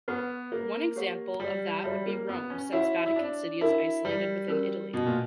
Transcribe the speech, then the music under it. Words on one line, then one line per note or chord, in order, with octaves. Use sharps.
One example of that would be Rome since Vatican City is isolated within Italy.
B3 B4 F#5 C#6
A#3
G4 C#5 F#5 C#6
G3
G3 F#4 C#5 E5 B5
A#3
B3
C#4
E4 F#4 C#5 F#5 C#6
E4
D4
D4 E4 F#4 A#4
G3
C#4 F#4 A#4
B2
A#2